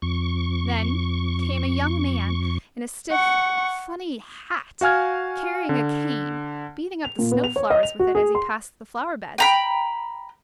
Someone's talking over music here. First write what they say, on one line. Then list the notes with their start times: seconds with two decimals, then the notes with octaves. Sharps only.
Then came a young man in a stiff, funny hat, carrying a cane, beating up the snow flowers with it as he passed the flower beds.
0.02 F2 C#6
3.11 F#5 C#6
4.81 F#4 F5 G#5 F6 G#6
5.69 D3
7.05 F7
7.19 A#2
7.32 B3
7.44 F7
7.56 C#5
7.70 D#5
7.83 F7
7.99 F#4
8.15 G#4
8.35 C6
9.38 G5 A#5 B5